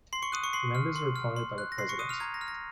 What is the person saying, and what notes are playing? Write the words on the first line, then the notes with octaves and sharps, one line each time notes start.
The members are appointed by the president.
C6 C7
C#6 C#7
D#6 F#6 D#7
C#6 C#7
C6 C7
F6
C6
F6
C6
F#6
A#6
C6 C7
C#6 C#7
D#6 F#6 D#7
F6 F7
A#5 G#6
A#6
F6
A#6